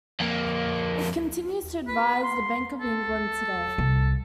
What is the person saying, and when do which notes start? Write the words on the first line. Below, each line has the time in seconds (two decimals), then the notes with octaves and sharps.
It continues to advise the Bank of England today.
0.20 F2 A#3
1.88 B4
2.23 C6
2.81 A4
3.78 C2